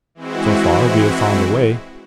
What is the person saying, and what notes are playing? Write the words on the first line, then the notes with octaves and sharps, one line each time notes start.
So far we have found a way.
E3 G#3 C4 E4 F#4